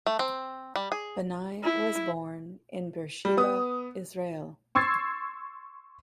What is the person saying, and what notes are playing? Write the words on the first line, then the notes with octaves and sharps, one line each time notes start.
Banai was born in Beersheba, Israel.
A3
C4
G3
G#4
E4
G3
B3 D#6
C6 C#6 E6 G#6 A6 C7